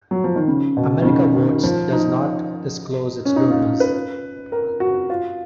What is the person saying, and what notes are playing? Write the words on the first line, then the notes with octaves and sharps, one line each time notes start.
America Votes does not disclose its donors.
F#3
F3
D#3
C#3
B2
D#3
C#3
D#3
F3
D#4
C#4
D#4
F4
B4
A#4
F#4
F4